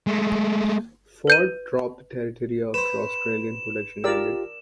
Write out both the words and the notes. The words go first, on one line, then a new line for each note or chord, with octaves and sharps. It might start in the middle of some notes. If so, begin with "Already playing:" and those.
Ford dropped the Territory after Australian production ended.
G#3 A3
B4 G6 D#7
B4 C5 E7
F4 G4 A#4 D5 E6